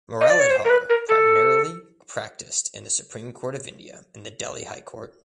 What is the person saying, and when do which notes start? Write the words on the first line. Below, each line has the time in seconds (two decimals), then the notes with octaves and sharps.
Muralidhar primarily practiced in the Supreme Court of India and the Delhi High Court.
0.21 D#5
0.30 D5
0.40 C#5
0.50 C5
0.65 A#4
0.70 B4
0.89 A#4
1.09 A4